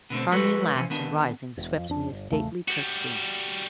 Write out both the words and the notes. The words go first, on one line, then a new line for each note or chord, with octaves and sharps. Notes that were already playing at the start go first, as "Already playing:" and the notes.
Charmian laughed, and, rising, swept me a stately curtesy.
B2 D3 A3 C4
F3 G#3 F#4 A4 B4
C3 E3 F3 C#4
D#3 B3 D4
E1
F2
F2 D4
G1
A#1 E2 C#3 A3
G3 F#4